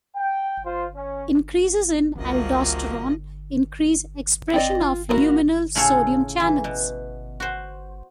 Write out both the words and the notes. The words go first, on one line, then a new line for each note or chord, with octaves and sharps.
Increases in aldosterone increase expression of luminal sodium channels.
G5
F4 C5
C#4
C#2 G2 C3 F3 A#3 C#4 F#4 D#5
C4 D5 D#5
F4
A#3 B3 E4 F#4 A#4
A2 C#3 F4 G#4 A4 C#5
E3
B2
F#4 C5